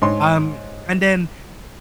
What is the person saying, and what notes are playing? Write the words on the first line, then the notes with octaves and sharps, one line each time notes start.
Um, and then
G#2 C#5 C6